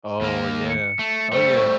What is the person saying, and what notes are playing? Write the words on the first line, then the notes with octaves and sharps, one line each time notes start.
Oh, yeah. Oh, yeah.
D#2 A#3
C#7
A3
G3 A3 C5
C#6